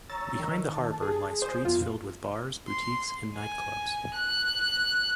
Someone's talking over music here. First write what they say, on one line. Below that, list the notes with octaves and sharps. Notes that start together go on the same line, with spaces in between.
Behind the harbour lie streets filled with bars, boutiques and nightclubs.
C#5 A#5 E6 A6
D#3
A5
G#4
C5 G#5 D#6
F2 B3 F4
C6
G#5
F#6